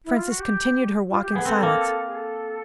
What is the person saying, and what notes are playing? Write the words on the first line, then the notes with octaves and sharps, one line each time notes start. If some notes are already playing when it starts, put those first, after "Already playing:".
Frances continued her walk in silence.
E4
F4
F#4
G4
F4
G4
B3 G#4
C4 A4
A#3
G#4
A4